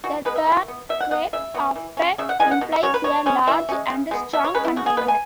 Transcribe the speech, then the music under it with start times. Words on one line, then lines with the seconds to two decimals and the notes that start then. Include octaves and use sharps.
The term 'crate' often implies a large and strong container.
0.04 E3 F#4
0.25 G#3 B3 B4
0.36 E5
0.46 E3
0.68 B3
0.89 B2 E5
1.00 F#5
1.11 B3 F#5
1.33 C#3 E5
1.54 F#3 B3
1.76 E3
1.97 C#4
2.18 C#3 E5
2.29 F#5
2.40 E3 G#3 B3 G#5
2.51 F#5
2.61 B2
2.72 E5
2.83 F#3 C#4 C#5
2.94 B4
3.04 B2 C#5
3.26 G#3 C#4
3.47 E3 E5
3.69 G#3 C#4
3.91 C#3
4.11 G#3 B3
4.33 B2 E5
4.44 C#5
4.54 C#4 B4
4.58 G#3
4.65 E4
4.76 C#3 F#4
4.86 G#4
4.97 G#3 B4
5.01 B3
5.08 G#5